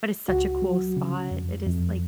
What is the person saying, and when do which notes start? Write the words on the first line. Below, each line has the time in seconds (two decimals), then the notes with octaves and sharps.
but it's such a cool spot. It is, like,
0.28 C#2 F#4
0.62 F#3
0.97 C#3
1.31 F2
1.67 F2